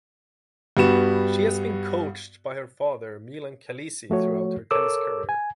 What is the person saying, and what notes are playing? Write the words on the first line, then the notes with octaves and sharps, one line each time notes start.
She has been coached by her father, Milan Kelesi, throughout her tennis career.
G2 G3 B3 F#4 E7
F3 A3 F#4 C#5
A4 A#4 C#5 D6 E6
G#5